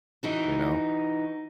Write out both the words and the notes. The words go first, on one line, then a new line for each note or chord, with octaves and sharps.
you know,
E3 D#4 F#4